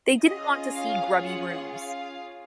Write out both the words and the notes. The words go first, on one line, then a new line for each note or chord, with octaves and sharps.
They didn't want to see grubby rooms.
C#4 F4 G#4 D#5
F5
F#5
F5